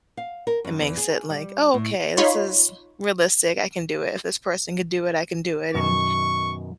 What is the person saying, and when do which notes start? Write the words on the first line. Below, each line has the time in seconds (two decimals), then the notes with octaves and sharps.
It makes it like, "Oh, okay, this is realistic, I can do it. If this person can do it, I can do it." And,
0.17 F5
0.47 A#4
0.65 F#2
0.80 E2
0.97 G#4
1.30 G3
1.74 A2
2.17 D#4 F4 C#5 B5 C6
5.74 F#2 B2 D#3 C#6